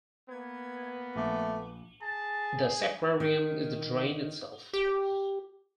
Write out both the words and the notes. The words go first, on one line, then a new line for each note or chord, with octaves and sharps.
The sacrarium is the drain itself.
A#3 B3 G#6
A#1 A3 D6
G#4 A5
D#3
G4